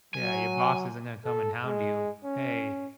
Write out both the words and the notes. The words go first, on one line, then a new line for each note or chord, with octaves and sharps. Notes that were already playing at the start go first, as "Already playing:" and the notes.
Yeah, your boss isn't gonna come and hound you, "Hey,
F#3 G#5
A4
G#3
C#4